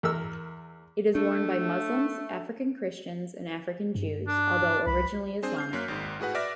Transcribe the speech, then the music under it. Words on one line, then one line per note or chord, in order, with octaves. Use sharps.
It is worn by Muslims, African Christians and African Jews, although originally Islamic.
E2 A#4 E6
A3 D4
G2
D4
C2 B5
C4 D4 G#4 C5
F6 G6 C7
F#2 A#3 C#5 F#6 B6
G#1 G#2
A2 F#4 G#4 B4 F#5
B4 D5 E5 D6 F6 A#6